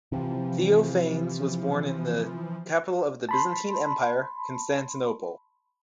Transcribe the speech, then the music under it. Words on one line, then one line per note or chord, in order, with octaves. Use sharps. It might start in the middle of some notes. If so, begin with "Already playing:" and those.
Theophanes was born in the capital of the Byzantine Empire, Constantinople.
C3 E3 F3
A5 B5 C6